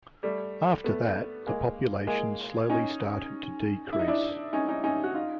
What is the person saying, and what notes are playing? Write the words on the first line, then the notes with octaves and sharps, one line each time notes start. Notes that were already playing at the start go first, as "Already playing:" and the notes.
After that, the population slowly started to decrease.
G3 A3
A3 B3
G#3 A#3
G#3 A#3
C#4 D#4
E4
D#4
D4 E4
C#4 D#4
C#4 D#4
C#4 D#4
F#4
D#4 F4